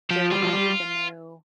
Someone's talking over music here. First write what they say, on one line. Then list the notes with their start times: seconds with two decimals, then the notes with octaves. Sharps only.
Jury Duty, the new
0.10 F3 G4
0.31 G3 F4
0.42 F3
0.53 G3